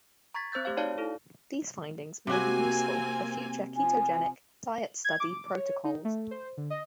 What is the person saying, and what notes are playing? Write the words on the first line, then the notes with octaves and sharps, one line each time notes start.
These findings may be useful for future ketogenic diet study protocols.
A#5 C#6 G#6 A6 B6
C4 C5 E6 G6 A6
A3 G4 C5 F5
D#4 F#4 C#5 D5 F5 A5
E4 A4
C3 A#3 C4 F#4 G#5
F3 G#5
G#6
D6
C#5
D#4
A3
C5
D3
D#5